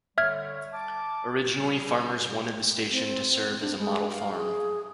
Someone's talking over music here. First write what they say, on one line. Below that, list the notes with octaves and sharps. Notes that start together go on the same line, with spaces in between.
Originally, farmers wanted the station to serve as a model farm.
D3 G3 C#5 E5 F6 G#6
A5 D6
G3 G#4
C4
D4
G#3
F5
G#4